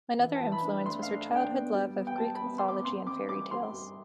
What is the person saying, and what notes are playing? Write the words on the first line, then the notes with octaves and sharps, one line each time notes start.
Another influence was her childhood love of Greek mythology and fairy tales.
E3
A5
E3
B5
D4
B5
A3 C6
F5
D4
D4
G5
B3
G3
B3
G5
G3 A5
B5
B3
B3 C6
D6
C4 C6
C4 D6
G3 D6
G4 C6
G3